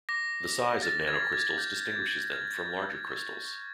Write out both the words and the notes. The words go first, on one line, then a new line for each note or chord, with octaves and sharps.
The size of nanocrystals distinguishes them from larger crystals.
D6 A#6
D6
F6 A6
G#6
F6
G#6
D6 G6
D6
F6 G#6
F6
C#6 G#6
C#6